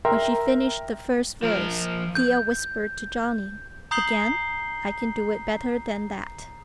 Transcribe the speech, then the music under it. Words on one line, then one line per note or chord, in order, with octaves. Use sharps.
When she finished the first verse, Thea whispered to Johnny, "Again, I can do it better than that."
A#4 E5 G5 A#5 C6
F3 A#4
G6
A#5 D#6 G6 C7 F#7 G7